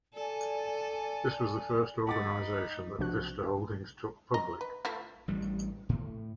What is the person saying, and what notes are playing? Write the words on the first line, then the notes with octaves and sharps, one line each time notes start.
This was the first organization that Vista Holdings took public.
A4 D5 G#5
D#4 F#5 B5 D6 A6
B1 C3 F3 D4 F#4 F#6
D#5 A#5
B4
A3 E4 F4
A1 G2 G3
A2